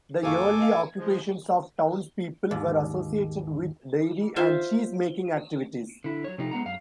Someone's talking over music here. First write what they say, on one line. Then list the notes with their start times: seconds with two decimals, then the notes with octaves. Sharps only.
The early occupations of townspeople were associated with dairy and cheese-making activities.
0.23 F#1 A4 F5 G#5 C#6 D6
0.59 D#5 F5
0.72 G#6
0.97 F3 G#3
2.51 D#2 G#2
4.36 F4 C5 E5
6.04 D3 E4
6.24 F#3 C#5
6.38 C3 F3 A3 D#4
6.51 G#3 B3 F#5 A#5
6.65 F#2 F5